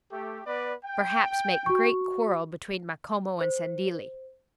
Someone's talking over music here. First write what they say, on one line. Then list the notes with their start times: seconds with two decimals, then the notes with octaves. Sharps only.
Perhaps make great quarrel between Macomo and Sandilli.
0.11 A3 G4
0.45 B3 B4 D5
0.84 G5
1.66 F#4 C#6
3.41 C5